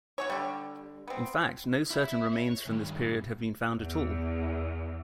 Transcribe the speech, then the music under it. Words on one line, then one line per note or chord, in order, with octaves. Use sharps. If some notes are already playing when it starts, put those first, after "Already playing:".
In fact no certain remains from this period have been found at all.
F#4 G#4 C#5
D3 G3
B3 C4
E4 E5
C#5
G2 D#3
E2